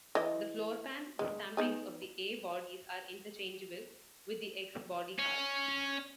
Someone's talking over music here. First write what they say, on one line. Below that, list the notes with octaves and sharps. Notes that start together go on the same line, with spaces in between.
The floorpan stampings of the A-Bodies are interchangeable with the X-Body cars.
E3 E4 D#5
G#3
B3 D#4 G#4
C#4